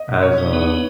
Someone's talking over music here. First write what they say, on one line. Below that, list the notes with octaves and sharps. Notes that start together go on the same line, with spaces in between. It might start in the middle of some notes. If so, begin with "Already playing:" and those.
as, uh,
Already playing: D#5
B2
B2 C#5
D#4
B3 B4
D#4